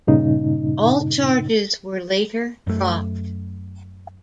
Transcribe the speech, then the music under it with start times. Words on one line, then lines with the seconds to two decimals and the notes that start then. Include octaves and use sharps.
All charges were later dropped.
0.07 G2 A#2 C#3 D#4
2.67 F#2 A3